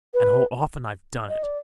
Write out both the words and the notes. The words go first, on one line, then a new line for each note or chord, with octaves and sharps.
And how often I've done it!
B4
D#5
D5